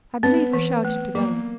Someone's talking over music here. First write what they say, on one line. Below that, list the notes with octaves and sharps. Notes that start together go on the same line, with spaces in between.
I believe we shouted together.
B3 C4
E3
A3
F#3 A#3